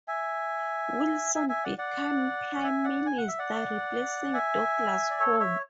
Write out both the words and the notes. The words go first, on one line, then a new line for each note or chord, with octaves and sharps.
Wilson became Prime Minister, replacing Douglas-Home.
E5 G#5
E5 G#5
E5 G#5
D5 F#5
D5 F#5
E5 G#5
D5 F#5
G#5
F#5
E5
D5 F#5
E5 G#5
D5
A4 C#5
C#5 E5